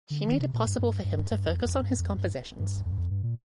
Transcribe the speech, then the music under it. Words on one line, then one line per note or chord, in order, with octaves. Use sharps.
She made it possible for him to focus on his compositions.
D3
D#3
C3
A#2
G2
G2
G2
G2
F2
F2
G2
F2
G2
G2
F2
G2
F2
G2
A#2